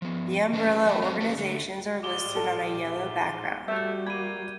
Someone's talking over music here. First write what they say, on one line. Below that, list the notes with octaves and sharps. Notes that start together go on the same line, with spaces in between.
The umbrella organizations are listed on a yellow background.
F3 B3
E3 F#3 C#4 G#4 B4 A5
F#3 E5 A5
F#3 C4 C5 D#5 F5
C#4 F#4 G4 A#4 B4 C#5
D3 A3
G3 G#3 F4 D6 G7
G4 A4
G#2 F4 E5
G3 A3 F#4 C#5 E5 G6
A#3 B5 G#6 D#7